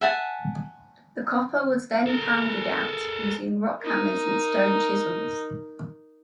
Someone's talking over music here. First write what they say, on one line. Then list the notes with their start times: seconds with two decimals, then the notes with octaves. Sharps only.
The copper was then pounded out, using rock hammers and stone chisels.
0.01 E5 F#5 G#5 A5
2.06 A4 A#4
3.81 D#4 A#4